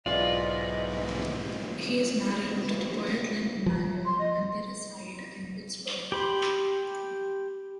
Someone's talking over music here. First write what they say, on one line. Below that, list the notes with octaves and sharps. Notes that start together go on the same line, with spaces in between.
He is married to the poet Lynn Emanuel and they reside in Pittsburgh.
B1 G#2 E3 F4 D5 D#5
F3
C6
D#5
G4 B5 C6